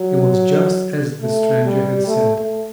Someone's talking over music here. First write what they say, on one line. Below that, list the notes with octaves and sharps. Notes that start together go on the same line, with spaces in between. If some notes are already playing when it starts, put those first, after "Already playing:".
It was just as the stranger had said.
Already playing: F#3
A3
G3
A3
A3